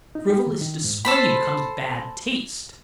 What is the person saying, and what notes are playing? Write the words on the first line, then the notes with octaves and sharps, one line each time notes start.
Frivolous display becomes bad taste.
D#4
G4
D#3
D#3
G#2
A4 C5 B5